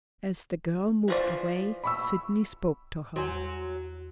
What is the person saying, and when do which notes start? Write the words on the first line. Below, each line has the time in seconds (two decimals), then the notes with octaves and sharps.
As the girl moved away, Sydney spoke to her.
1.08 E3 F3 D5
1.84 B5 C#6 E6
3.16 E2 F#3 C6